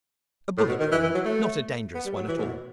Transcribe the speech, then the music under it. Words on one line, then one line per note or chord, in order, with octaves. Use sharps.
"A bullet wound--not a dangerous one at all."
A2
B2
D#3
E3
E3
F#3
A3
B3
G3
F#3
E3
A2
B2